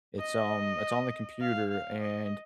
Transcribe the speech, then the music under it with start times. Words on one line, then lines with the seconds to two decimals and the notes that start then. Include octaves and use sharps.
It's, um, it's on the computer, and
0.19 D#5
1.41 F5
1.72 F5
2.02 D#5